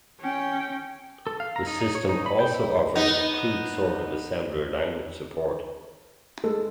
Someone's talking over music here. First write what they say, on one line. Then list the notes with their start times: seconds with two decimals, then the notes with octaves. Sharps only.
The system also offered a crude sort of assembler language support.
0.20 C#4 G5
1.27 A4
1.40 F5
1.56 A#5
1.67 D#4
1.81 D#4
1.95 C#5
2.09 D#4
2.26 B5
2.39 G5
2.54 E4
2.95 B3 D#4
6.44 G#3 A4